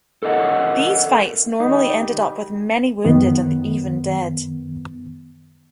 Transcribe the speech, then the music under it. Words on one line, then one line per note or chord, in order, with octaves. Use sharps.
These fights normally ended up with many wounded and even dead.
A4 A#4 D#5 F5 F#5
D#3 G3 D#4
F#2 D#3 B3